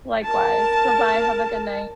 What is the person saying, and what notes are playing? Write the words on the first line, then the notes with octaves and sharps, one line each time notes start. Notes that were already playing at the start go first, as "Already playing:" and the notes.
likewise. Bye-bye, have a good night.
A#4 A5